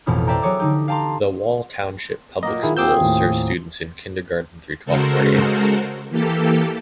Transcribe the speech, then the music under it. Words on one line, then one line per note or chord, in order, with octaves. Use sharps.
The Wall Township Public Schools serve students in kindergarten through twelfth grade.
A1 F2 B2 G#3 E4 F6
C5 D5 E5 G5 A#5
F#3 G#4 C#5 D6 E6
D3 D#4 G4
F5 G5 A5 A#5 C6
A#2 F#3 A#3 D#5
D#3 E4 G#4
C4 G#4 D6 E6 G6
D#2 A2
C#3 G#3 F#4 A4 A#4 C5
E3 A#3 G4 A4